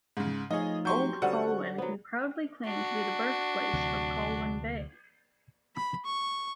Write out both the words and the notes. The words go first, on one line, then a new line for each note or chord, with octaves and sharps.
Old Colwyn can proudly claim to be the birthplace of Colwyn Bay.
G#2 C#3
F3 A3 D#4 F4 G#4 C#5 D#5
F#3 F#4 G4 C6 C#6 G6
D3 G3 C#4 F#4 C5 F#5 C#6
F#3 B3 C5
D4 F#4
D2 C3 F#3
B5
C#6